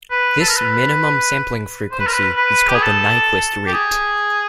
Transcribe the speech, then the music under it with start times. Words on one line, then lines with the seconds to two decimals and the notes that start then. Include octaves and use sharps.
This minimum sampling frequency is called the Nyquist rate.
0.11 B4
0.41 A4
0.49 A#4
0.57 B4
1.92 C5
1.99 B4
2.07 A#4
2.13 B4
2.37 B4
2.69 G4
2.75 G#4
2.82 A4
3.67 G4
3.73 G#4